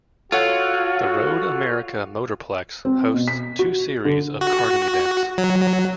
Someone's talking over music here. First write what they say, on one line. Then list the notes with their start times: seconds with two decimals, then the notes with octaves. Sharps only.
The Road America Motorplex hosts two series of karting events.
0.32 F4 F#4 A4 C#5 F#5
2.85 C4
3.14 B2
3.28 B6
3.59 F#4
4.05 D3
4.41 F#4
5.38 F#3